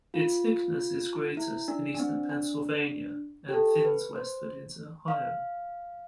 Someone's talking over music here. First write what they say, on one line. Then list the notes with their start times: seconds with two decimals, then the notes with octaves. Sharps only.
Its thickness is greatest in eastern Pennsylvania and thins westward into Ohio.
0.14 F4
1.37 E4
1.68 D4
1.95 D4
2.00 C4
2.29 D4
3.49 G4
3.54 A4
3.85 B4
4.16 C5
5.08 F5